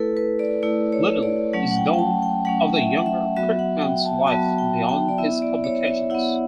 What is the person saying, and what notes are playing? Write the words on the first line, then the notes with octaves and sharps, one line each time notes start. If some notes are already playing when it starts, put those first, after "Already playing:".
Little is known of the younger Kirkman's life beyond his publications.
Already playing: A3 E4 A4 B4
B4
D5
A3 E4 D5
C#5
D5
F#3 A3 C#4 F#5
F#5
G5
G5
A5
G5
F#3 A3 C#4 F#5
E5
F#5
E5
F#3 B3 F#4 E5
F#5
G5
A5
F#3 B3 F#4 A5
G5
G5
D5
B3 E4 E5
D5
C#5
E5
B3 E4 F#5